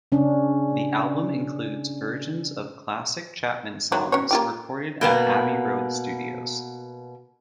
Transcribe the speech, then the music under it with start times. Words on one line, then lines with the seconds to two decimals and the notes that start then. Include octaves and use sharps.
The album includes versions of classic Chapman songs recorded at Abbey Road Studios.
0.12 C#3 C#4 D4
3.92 D#3 F#3
4.12 C#4 F#4 C#5
4.31 A#3 F4 G4
5.01 B2 A#3 B3